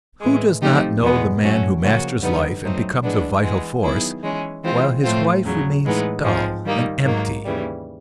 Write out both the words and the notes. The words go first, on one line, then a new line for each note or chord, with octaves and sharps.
Who does not know the man who masters life and becomes a vital force, while his wife remains dull and empty?
A2 E3 G#3
F3 A3 C4 D#4 G4
E2 B2 G#3 B3
A#2 F#3 A3 C#4 F#4
C#3 F3 A#3 C#4 F#4
F2 D3 G3 B3 D#4
F#3 A3 C4 D#4
E3 G#3 B3 D4
E3 G#3 B3
D#3 F#3 B3 E4 G#4
E3 G#3 C#4
E3 G#3 C4 F4
A2 F3 A3 C4 F4
E2 C#3 F#3
A2 E3 G#3 B3 D#4
G#2 F3 G#3 C4
D#3 G3 A#3 D#4
G#2 D#3 F#3 A#3
D#2 C#3 E3 G3